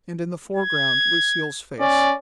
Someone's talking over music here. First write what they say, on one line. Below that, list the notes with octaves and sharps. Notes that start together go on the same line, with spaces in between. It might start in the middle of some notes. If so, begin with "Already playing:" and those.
And in the foreground Lucille's face.
G#6
C#4 D5